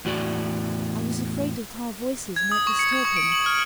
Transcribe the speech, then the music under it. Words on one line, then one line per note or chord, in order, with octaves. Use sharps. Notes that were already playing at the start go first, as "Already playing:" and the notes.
I was afraid that our voices might disturb him.
E2 A2 F#4 D5
G#6
D#6
C#6
C#7
G#6
C#6
D7
F#7
F6